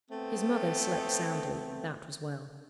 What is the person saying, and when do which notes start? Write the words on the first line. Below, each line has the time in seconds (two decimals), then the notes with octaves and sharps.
His mother slept soundly: that was well.
0.10 A3 B3 C4